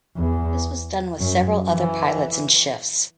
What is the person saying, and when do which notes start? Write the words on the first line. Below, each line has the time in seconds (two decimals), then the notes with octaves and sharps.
This was done with several other pilots in shifts.
0.17 E2
1.19 F#2
1.70 E3